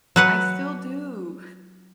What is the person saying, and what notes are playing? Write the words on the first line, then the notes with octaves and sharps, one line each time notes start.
I still do.
F#3 B4 F#5